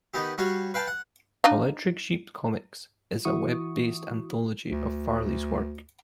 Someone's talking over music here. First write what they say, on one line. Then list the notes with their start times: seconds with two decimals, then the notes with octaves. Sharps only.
Electric Sheep Comix is a Web-based anthology of Farley's work.
0.14 D#3 B3 D#4 G4
0.38 G3 F#4 C#5 F5
0.74 B4 F5 G5 A5
0.87 F#5
1.44 D4 D#4 F5
3.25 E3 E4 F#4 C#6 D#6
4.69 D2